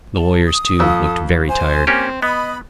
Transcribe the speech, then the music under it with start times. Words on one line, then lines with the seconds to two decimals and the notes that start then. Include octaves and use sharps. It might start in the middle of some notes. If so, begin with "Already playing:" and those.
The lawyers, too, looked very tired.
0.15 A5
0.46 D#6
0.80 F2 A4 E6
1.49 C5 G#5
1.87 A#3 C4 C#4 G4
2.22 B3 D#5 B5